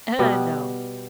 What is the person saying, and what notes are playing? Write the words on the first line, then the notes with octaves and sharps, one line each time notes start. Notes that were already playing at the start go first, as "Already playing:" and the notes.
Eh, no.
B2 G3 B3 F#5